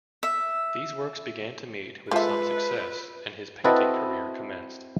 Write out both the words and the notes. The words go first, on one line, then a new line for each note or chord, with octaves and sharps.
These works began to meet with some success and his painting career commenced.
E5
F3 G#3 F4 A4 B4 E5
C4 E4 F#4 A4 B4 D#5